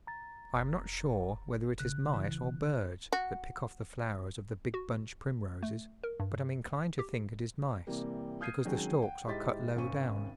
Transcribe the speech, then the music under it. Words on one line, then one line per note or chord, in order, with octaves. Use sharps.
I am not sure whether it is mice or birds that pick off the flowers of the big bunch Primroses, but am inclined to think it is mice, because the stalks are cut low down.
A#5 A6
F1
G1 C#3 F#6
E3
F#4
F#4
A3
A#4
G2
G4
C3 E3 G3 A#3
D#6 F6 G6 G#6 C7 D#7
C3 D#3 F#3 G#3 C#4
F#5 G5
G#2 E4 G4 D#5 A6 B6
G#1 C3 C4 C#4 C#6 D#7